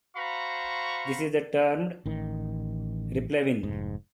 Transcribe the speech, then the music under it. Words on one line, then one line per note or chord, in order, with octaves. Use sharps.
This is termed "replevin".
F#4 C5 F5 A#5 B5 C#6
A1 D#3
F1 G#2